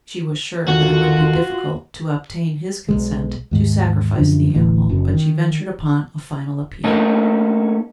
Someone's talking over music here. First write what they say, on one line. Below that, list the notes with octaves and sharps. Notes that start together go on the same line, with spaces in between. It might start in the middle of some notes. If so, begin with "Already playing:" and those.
She was sure that it would be difficult to obtain his consent to sacrifice the animal, but she ventured upon a final appeal.
D#2 D#3 F4 F#4 A4
B1 E2 G#3
D#2 G#2
F#2 D3 F3
D1 A1 E3
F#1 F#2
D#3
A3 A#3 C#4 D#4 A4